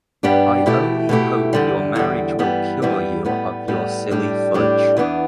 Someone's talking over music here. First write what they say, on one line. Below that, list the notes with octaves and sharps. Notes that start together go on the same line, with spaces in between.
I only hope your marriage will cure you of your silly fudge.
G2 G3 B3 D4 G4
B2 A3 E4 G4
B2 A3 E4 G4
E2 D3 G3
E2 D3 G3
G2 E3 G3 B3
G2 E3 G3 B3
A2 G3 B3
A2 G3 B3
A2 G3 D4 G4
A2 G3 D4 G4
E2 E3 B3 D4